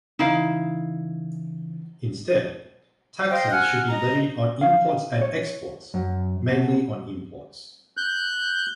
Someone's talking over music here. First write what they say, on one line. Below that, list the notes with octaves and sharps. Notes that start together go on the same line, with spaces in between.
Instead, taxes should be levied on imports and exports, mainly on imports.
C#3 E3 D#4 E4 F5
C5 D#5 F5 G5
F#5 G#5 F6 F#6
D#5 A#5
F5
C#5
F#2
B2
F#6 G6